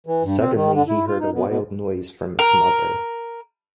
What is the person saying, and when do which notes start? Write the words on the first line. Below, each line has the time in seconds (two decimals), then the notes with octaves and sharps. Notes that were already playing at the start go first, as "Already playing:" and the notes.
Suddenly he heard a wild noise from his mother.
0.07 E3
0.23 G2
0.39 C4
0.54 D#3
0.73 D3
0.88 E4
1.07 F4
1.20 D#4
1.32 B2
1.47 B2
2.39 A#4